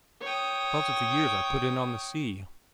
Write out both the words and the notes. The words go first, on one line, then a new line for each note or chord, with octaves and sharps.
Because of the years I put in on the sea.
C#5 G5 D#6